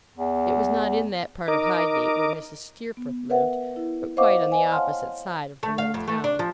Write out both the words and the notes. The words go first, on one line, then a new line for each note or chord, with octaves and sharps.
It was not in that part of Highgate where Mrs. Steerforth lived, but quite on the opposite side of the little town.
E2
D#4 A#4 D#5 D6
B3
A#4 B4 E5 F#5
E4
C5 D#5 F5 F#5 C#6 D6
D5 D#5 G#5
C#5 F5 F#5 A5 C6 F6
A3
F5
F2
A3
D4
F3